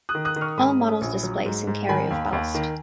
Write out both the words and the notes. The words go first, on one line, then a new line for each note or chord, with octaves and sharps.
All models displace and carry of ballast.
D#6 F#6
D#3
D#6 F#6
D#3
C#6 F6
G#2 B5 D#6
C#4
A#1
F#3
G#2
G#2
D#3 G#5 B5
D#2
D#2
D#3